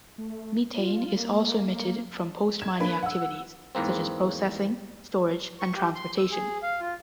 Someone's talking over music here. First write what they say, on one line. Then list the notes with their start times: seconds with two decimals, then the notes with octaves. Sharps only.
Methane is also emitted from post-mining activities such as processing, storage and transportation.
0.18 A3
0.76 F4
1.15 A#3
2.61 G#6 E7
2.80 A#3 D4 B4
3.03 F#5 E6
3.75 E2 G#2 A#3 C4
5.60 C#6
5.75 G4
5.95 C6
6.18 E6
6.31 G#4
6.62 F5
6.81 F4